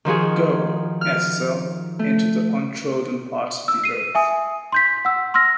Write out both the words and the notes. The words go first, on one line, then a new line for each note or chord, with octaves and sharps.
Go, Azazel, into the untrodden parts of the earth.
D#3 F3 F#4 G#4
F6
A3
E6
C7 D#7
E5 G#5 D#6
C6 G6 B6
F#5 E6
C6 E6 F6 A#6